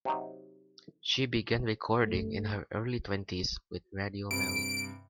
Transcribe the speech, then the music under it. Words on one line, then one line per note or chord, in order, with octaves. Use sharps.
She began recording in her early twenties with Radio Mali.
C3 F#3 D#4
A3
G2 C3 D7